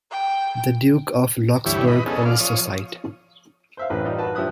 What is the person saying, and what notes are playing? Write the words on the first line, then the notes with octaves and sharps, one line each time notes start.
The Duke of Roxburghe owns the site.
G5
D2 G2 E3 E4 G4 C#5
B4 D#5
B3 C#4 G#4 A4 D#5
D5 F5
F3 C#5 D#6
C5 E5 F5
A1 A2 B4
G3 D#4 F4
F#4 B4 A5
G2 F3 G4 E5 D#6 F#6